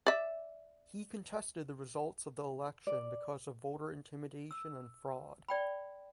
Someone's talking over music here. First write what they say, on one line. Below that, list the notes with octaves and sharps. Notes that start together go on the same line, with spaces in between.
He contested the results of the election because of voter intimidation and fraud.
D5 E5
D5
E6
D5 G5 B5